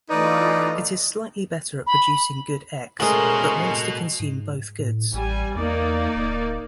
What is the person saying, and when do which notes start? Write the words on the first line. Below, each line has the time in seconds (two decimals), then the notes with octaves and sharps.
It is slightly better at producing good X, but wants to consume both goods.
0.10 E3 A3 D#4 F4 B4 D5 D#5
1.87 B5
3.00 G#3 A3 C#4 F#4 A#4 C5 D#5 C6
4.20 G#2
4.79 A2
5.13 A1 G3 G#5
5.56 E2 A#3 D#4 D5
6.15 D1